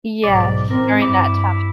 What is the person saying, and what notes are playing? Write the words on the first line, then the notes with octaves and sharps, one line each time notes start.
Yes, during that tough
B1 G#2 D5
A1 C4 A#4
G2 E4 D6